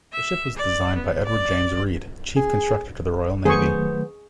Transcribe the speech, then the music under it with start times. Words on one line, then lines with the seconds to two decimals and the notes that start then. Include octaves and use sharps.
The ship was designed by Edward James Reed, Chief Constructor to the Royal Navy.
0.12 E5
0.56 D5
0.96 B3
1.25 D5
2.36 G#4
3.45 D#3 F#3 A3 B3 G#4 C5 C#6